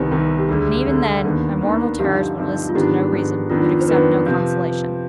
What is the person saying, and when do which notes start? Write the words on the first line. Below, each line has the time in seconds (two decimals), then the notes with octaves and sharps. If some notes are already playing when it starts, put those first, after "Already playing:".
And, even then, my mortal terrors would listen to no reason--would accept no consolation.
Already playing: C2 C3 D#3 B3 C5
0.11 C2 C3 D#3 B3
0.39 G4
0.48 D2 D3 G3 G#4
0.86 D2 D3 G3
1.24 D#2 D#3 B3 D4
1.61 D#2 D#3 B3 D4
1.99 G2 D3 F3 C4 D#4 G4
2.37 G2 D3 F3 C4 D#4
2.69 F4
2.75 G#2 D#3 B3 D4 G4
3.13 G#2 D#3 B3 D4
3.50 F2 D#3 B3 D4 F4
3.62 F4
3.80 C5
3.88 F2 D#3 B3 D4 B4
4.25 C3 F3 C4